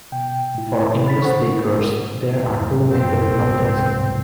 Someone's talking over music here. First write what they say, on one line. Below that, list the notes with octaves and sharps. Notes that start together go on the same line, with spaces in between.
For English-speakers there are two main difficulties.
B2 G5
A2 E4
B5 A6 B6
A4 C5 F#5 C#6
F#2
C4
F1 C2 G#2